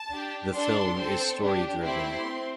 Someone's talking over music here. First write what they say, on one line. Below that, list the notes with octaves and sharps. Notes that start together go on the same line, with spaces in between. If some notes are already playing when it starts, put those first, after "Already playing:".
The film is story driven.
Already playing: A5
D4 G4
D4 A4 C6
C4 A4
D4 G4
A3 C4 E4 G4 C6
C4